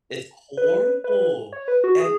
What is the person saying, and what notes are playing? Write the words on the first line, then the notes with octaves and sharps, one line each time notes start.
It's horrible. And
B4
B4
C#5
B4
F#4
G#4